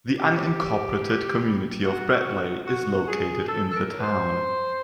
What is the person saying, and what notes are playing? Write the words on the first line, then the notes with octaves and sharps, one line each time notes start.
The unincorporated community of Bradley is located in the town.
B2 G4
G3
B2
G3
B2 F#4
G3
B2 F#4
G3 G#4
F#2 A4
A4
A#4
D#3 F#3
B4
C5
F#2